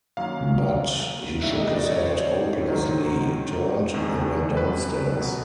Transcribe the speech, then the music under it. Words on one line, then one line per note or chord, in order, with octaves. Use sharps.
"But — " He shook his head hopelessly, turned, and went downstairs.
F#2 D#3 F#3 A#3 C#4 F5
C3 D#3 G3 A#3 E5
D#5
D5
C#5
C5
G#2 D#3 F#3
E2 C3 D#3 G#3
B4
B2 F#3 B3